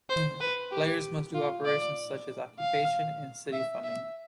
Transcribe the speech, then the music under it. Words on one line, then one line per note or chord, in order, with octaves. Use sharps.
Players must do operations such as occupation and city funding.
C5
B4
G4
F4
D5
F5
E5
E5